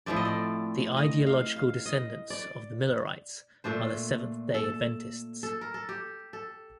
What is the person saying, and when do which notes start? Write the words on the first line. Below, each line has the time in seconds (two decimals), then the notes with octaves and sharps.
The ideological descendants of the Millerites are the Seventh-day Adventists.
0.06 A2 F3 A3 C4 D5
0.16 D#5
0.25 D5
0.97 D#5
1.27 F5
1.56 F5
1.86 D#5
2.30 D5
3.64 A#2 A3 D4 C5
4.54 A4
5.43 A4
5.61 A#4
5.74 A4
5.89 G4
6.33 A4